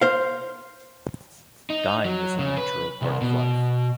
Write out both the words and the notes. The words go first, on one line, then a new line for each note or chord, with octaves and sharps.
Dying is a natural part of life.
C5 F5
D#4
F#3
C#3
B4
C2
B2